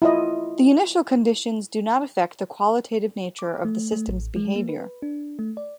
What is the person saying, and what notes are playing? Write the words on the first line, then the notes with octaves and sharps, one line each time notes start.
The initial conditions do not affect the qualitative nature of the system's behavior.
E4 F4 D#5
D6
A3
A3
A1
G#3
A#3
B4
D4
A3
D5